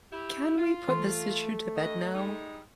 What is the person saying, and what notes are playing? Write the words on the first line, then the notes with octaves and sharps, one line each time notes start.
Can we put this issue to bed now?
E4 G4
F4
E3 A3 C6
G2 D#5
G3 G#3 D#4